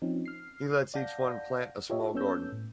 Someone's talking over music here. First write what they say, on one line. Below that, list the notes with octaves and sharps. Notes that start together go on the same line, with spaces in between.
He lets each one plant a small garden.
F3 C4 C#4 D#4
F6 C7
D5 F5 F#5 A5 G6 A#6
F4 G4 A#4 C#5 D#5 E5
A#3 B3 C#4 A4 E6 G6
A2